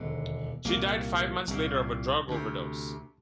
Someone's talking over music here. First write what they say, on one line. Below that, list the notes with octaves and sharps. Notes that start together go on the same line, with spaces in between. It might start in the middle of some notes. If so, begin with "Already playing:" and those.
She died five months later of a drug overdose.
Already playing: E1 D#2 D3
C2 A#2 A#3
C2 A#2
D2 C3